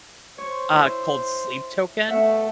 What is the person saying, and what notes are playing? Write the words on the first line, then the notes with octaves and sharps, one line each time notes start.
uh, called Sleep Token.
C5 C#5
E4
B2 A3 E5 F#5